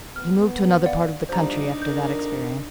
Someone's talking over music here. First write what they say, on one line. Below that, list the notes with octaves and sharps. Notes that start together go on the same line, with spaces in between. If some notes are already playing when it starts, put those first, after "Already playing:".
He moved to another part of the country after that experience.
B3 F6
D5 F5 F#5
D3 F3 G3 D4 D#4 C5 A#5
F2 D3 A#4 G6